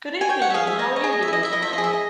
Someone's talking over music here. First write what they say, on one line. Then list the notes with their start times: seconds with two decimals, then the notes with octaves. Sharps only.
Good evening, how are you doing tonight?
0.21 G#5
0.29 C#5 G5
0.42 F#5
0.50 E5
0.54 G#4 F5
0.67 E5
0.79 C#5 D#5
0.96 D#5
1.04 G#4
1.13 D#5
1.22 E5
1.28 E4 D#5
1.43 E5
1.53 E4 D#5
1.62 E5
1.73 G#4 D#5
1.84 E5
1.93 D#5